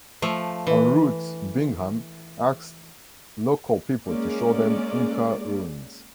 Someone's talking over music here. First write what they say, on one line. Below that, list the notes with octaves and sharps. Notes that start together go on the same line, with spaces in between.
En route Bingham asked local people to show them Inca ruins.
F3 A3
E3
G#3 A#3 C#4 D5